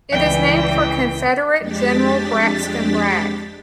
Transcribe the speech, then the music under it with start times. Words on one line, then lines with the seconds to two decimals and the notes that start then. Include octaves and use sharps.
It is named for Confederate General Braxton Bragg.
0.13 C#2 E3 G3 G5
1.58 F2 G#3 D4 G4 A6 B6